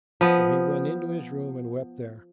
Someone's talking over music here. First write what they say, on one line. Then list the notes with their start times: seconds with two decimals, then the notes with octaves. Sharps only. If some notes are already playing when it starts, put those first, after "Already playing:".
So he went into his room and wept there.
0.21 F3 B3